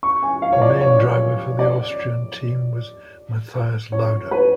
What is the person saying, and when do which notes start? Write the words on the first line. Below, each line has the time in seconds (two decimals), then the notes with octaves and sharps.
The main driver for the Austrian team was Mathias Lauda.
0.03 C#6
0.23 G#5
0.42 F5
0.52 C#5
0.62 D5
0.81 C#5
1.59 D5
3.92 C#5
4.31 B4